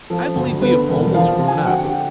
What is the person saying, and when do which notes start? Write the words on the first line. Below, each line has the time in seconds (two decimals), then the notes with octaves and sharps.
I believe we have almost grown up.
0.10 F3 A4
0.36 D2
0.62 D3 B3 B4
0.89 E1
1.14 F3 F4 F5
1.40 F3
1.48 G#5
1.57 G5
1.66 D3 F#4 F#5
1.85 G4 G5